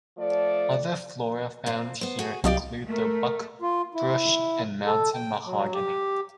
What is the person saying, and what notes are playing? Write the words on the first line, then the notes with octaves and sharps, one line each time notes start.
Other flora found here include the buckbrush and mountain mahogany.
F3 A3 D5
A#2 C4
B3 C5
F#4 G#4
C2 F#3 G4 D5 D#5 F5
A3 A#4
F4
E4
A4
G5
F#3
G4